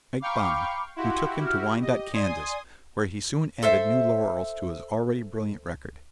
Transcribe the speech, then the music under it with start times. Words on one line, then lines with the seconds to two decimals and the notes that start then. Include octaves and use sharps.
Ike Bonham,--who took him to Wyandotte, Kansas, where he soon added new laurels to his already brilliant record.
0.22 F5 G5 A#5 B5 C#6 D6
0.96 E4 F#4 G4 F5 F#5 C6
1.41 F6
1.82 G4 D#5
2.13 D5 G#5 C6 D#6
3.63 A4 C5 E5